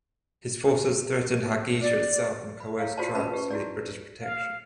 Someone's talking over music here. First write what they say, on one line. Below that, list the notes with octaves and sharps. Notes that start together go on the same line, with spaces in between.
His forces threatened Hargeisa itself and coerced tribes to leave British protection.
D5
B5
E4 C#5 F5
F4 F#4 G#4 C5 D5 A5
C#4 B4 A5 B5
G4 C#6
E4 F#4 G#4 D5
F5